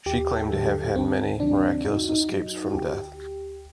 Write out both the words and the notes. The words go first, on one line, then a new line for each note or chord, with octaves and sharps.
She claimed to have had many miraculous escapes from death.
D#2 G4
A4
D3 F#3
G4
D2 C4
C3 D#3 F#3 D4
F#2 D#4
F#4
D#4
F#3
F#4
D2 G4